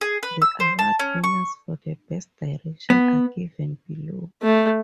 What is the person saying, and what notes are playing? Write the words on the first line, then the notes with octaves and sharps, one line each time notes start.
The award winners for Best Direction are given below.
G#4
B4
E6
C5
A5
C#4
C#6
B3
A3